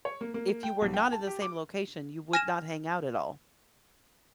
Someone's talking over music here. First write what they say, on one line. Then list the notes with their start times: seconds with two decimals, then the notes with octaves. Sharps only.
If you were not in the same location, you would not hang out at all.
0.05 C#5
0.21 A#3
0.34 A#3
0.63 G5
0.82 B1
0.94 G5
1.12 A5
1.27 G4
1.42 D6
2.33 G#5 F6 A#6 E7